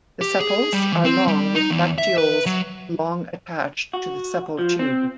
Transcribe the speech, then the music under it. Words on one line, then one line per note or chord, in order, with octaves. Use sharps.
The sepals are long with bracteoles long attached to the sepal tube.
G4
G#4
G3
E3
C4
G3
D#4
E2
E5
B4
F#3
F#4
F3
C4